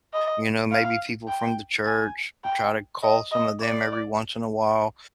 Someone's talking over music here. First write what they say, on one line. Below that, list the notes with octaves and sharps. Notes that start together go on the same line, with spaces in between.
you know, maybe people from the church, try to call some of them every once in a while.
D#5
F5
G5
G#5
G5
D#5
D#5
D5